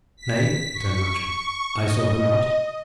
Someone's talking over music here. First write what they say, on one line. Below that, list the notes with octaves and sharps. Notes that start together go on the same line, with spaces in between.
"Nay," returned Matcham, "I saw her not."
B6
C#6
D#5